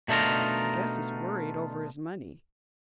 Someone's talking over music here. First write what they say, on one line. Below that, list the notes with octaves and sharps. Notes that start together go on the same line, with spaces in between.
"I guess he is worried over his money."
B2 A3 D4 D#4 F4 A#4